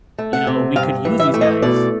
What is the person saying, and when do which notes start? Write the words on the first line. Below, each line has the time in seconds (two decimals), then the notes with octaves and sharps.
you know, we could use these guys
0.18 A3
0.33 F#5
0.47 C3
0.76 G2 F5
1.05 E3
1.20 E5
1.34 A3
1.41 D#5
1.62 B2 D5